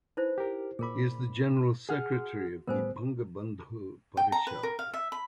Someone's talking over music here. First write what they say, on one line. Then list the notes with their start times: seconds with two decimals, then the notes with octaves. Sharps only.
He is the General Secretary of the Bangabandhu Parishad.
0.17 D#4 E4 B4 C5
0.38 G4 A#4
0.79 A#2 G#4 A#4 B5 D6
1.89 G#4 F#5 F6
2.12 F#4
2.68 A2 G3 B3 A#4 C5 G#5
4.17 G5
4.32 A#5
4.47 B4
4.63 A#4
4.79 F5
4.94 E5
5.12 B5